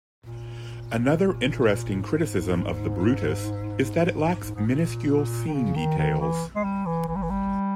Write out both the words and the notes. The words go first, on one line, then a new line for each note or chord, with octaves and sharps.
Another interesting criticism of the Brutus is that it lacks miniscule scene details.
A#2
G#2
G#2
A#2
D#3
C#3
D#3
D#3
E3
G#3
G3
E3
E3
G3
E3
G3